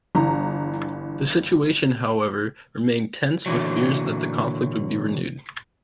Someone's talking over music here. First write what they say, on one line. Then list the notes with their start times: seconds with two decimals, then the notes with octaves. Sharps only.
The situation, however, remained tense with fears that the conflict would be renewed.
0.15 G1 E3 A#5
3.46 A#2 D3 E3 F#3